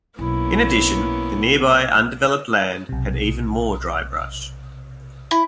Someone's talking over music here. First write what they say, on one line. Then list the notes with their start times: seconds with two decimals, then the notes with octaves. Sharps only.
In addition, the nearby undeveloped land had even more dry brush.
0.19 B1 A#3 B3 C#4 E4
2.89 B1 C3
5.31 E4